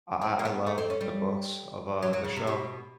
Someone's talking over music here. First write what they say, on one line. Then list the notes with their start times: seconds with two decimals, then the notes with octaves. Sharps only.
I I I love the books of, uh, the show,
0.21 C4
0.39 A#3
0.45 B3
0.67 A3
0.78 C4
0.90 C#4
1.01 G3
2.03 F#3
2.13 F#3
2.24 C#3
2.36 C3
2.47 B2